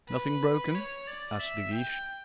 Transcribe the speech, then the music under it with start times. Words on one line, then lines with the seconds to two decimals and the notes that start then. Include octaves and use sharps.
"Nothing broken?" asked De Guiche.
0.09 B4
0.75 C#5
1.07 D5
1.39 E5
1.73 G5